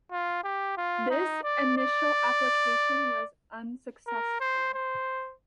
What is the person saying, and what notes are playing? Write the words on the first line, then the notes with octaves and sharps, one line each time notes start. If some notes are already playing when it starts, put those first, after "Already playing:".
This initial application was unsuccessful.
F4
G4
F4
D#4
D5
D5
A#4
C5
C5